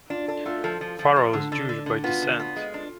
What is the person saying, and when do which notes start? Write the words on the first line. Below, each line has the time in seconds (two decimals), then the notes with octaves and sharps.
Farrell is Jewish by descent.
0.10 D4 F4
0.28 D4 A4
0.46 A3 F4
0.64 F3 A4
0.81 F3
0.99 F3
1.16 F3
1.33 D3
1.52 D3
1.69 D3
1.86 D3
2.04 B3 F4
2.22 D3
2.39 B3
2.56 G#3
2.74 D4